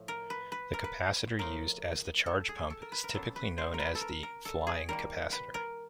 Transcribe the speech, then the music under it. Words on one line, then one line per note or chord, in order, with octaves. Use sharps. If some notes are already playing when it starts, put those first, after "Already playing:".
The capacitor used as the charge pump is typically known as the "flying capacitor".
Already playing: A2 F3 A3
A#4
B4
B4
A#4
B4
A2 F3 A3 A#4
A4
G#4
A4
A#4
B4
A#4
C#3 F#3 B3 A4
B4
C5
A#4
B4
A4
A#4
A#4
A4
G#4
D#3 G3 A#3 A#4
B4
A#4